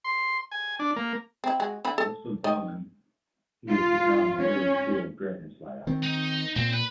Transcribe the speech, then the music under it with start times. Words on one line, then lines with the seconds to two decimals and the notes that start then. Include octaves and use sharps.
As for Bowen, he has become a very skilled dragonslayer.
0.04 C6
0.51 G#5
0.79 D4
0.96 A#3
1.44 C4 E4
1.60 G#3 F#4
1.85 D3 E4 B5
1.98 A4
2.44 D#3 D#5
3.69 F4
4.39 C#4
5.87 D#3 C4
6.03 D#4
6.56 A#2 C4
6.73 B4